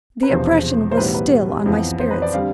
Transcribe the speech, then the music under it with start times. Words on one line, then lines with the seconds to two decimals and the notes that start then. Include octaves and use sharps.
The oppression was still on my spirits.
0.23 B4
0.29 E1 E2 C3 F3 C5
0.92 C5
0.97 B1 A2 E3 G3 B3 B4
1.15 B4
1.66 F2 E3 B3
1.99 C5
2.11 B4
2.22 D5
2.33 D3 G3 C4 F5